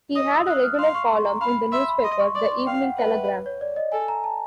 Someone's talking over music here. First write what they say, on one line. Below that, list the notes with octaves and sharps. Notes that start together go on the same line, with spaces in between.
He had a regular column in the newspaper "The Evening Telegram".
D#5 D#6
E6
F5 F#6
F6
F5 C6
C#6
C6
A#5
F5 B5
E5 C6
B5
D#5 C6
C#6
D5 D6
C6
F5 G5
F#5
B4 E5
C#5
D5
D#5
A4 G#5
A#5
A5